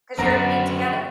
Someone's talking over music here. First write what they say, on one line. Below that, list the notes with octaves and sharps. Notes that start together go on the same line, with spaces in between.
'cause you're a team together.
F#2 D3 B3 C4 F#4 A#5